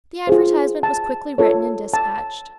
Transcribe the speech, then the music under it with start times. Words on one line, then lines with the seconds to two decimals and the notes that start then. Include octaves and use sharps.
The advertisement was quickly written and despatched.
0.27 F4 G#4 C5
0.83 A5
1.38 F4 A4 C#5
1.94 A5